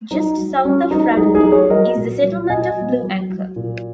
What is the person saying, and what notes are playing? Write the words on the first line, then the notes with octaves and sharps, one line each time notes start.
Just south of Fraddon is the settlement of Blue Anchor.
F#3 D#4
F#3
F#3 C#4
F#3 D#4
F#3 D#4 G#4
D#4 G#4
F#3
G#4 C#5
F#3 A#4 D#5
A#2
F#3
A#2 D#5 G#5
F#3
F#3
F#3
A#2